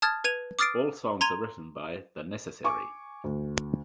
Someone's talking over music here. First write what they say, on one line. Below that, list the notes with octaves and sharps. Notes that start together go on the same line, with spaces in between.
All songs are written by The Necessary.
A5 D#6 F6 G#6 A6
B4 G#6 D#7 F7
D6 D#6 F6 A6 C7 D7
A#5 C6 G#6 D#7 F7
G#5 C#6 D6
D2